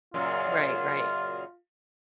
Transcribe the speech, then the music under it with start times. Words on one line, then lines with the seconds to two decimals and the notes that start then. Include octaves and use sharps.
Right, right.
0.14 F#2 A#2 C#3 F4